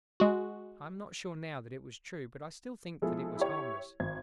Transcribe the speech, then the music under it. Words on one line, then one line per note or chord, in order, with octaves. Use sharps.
I am not sure now that it was true, but I still think that it was harmless.
G#3 F#4
B2 F3 G#3 E4 G#4 A4
E4 G4 C#5
G#1 G#6